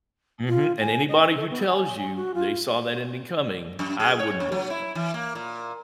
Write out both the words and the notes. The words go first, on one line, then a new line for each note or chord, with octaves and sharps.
Mhm, and anybody who tells you they saw that ending coming, I wouldn't believe 'em
F4
G#5
D#5
A4
B3
G#5
G#5
F#4
F4
F#2
G#4
C#5
F#2
F#3
E4
E3
A#3
A#2